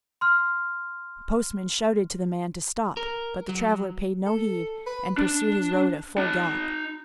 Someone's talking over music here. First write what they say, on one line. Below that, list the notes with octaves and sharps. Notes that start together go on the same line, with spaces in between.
The postman shouted to the man to stop, but the traveller paid no heed and pursued his road at full gallop.
C6 F6
A#4
F#3
A4
B4
D4
D#4 A5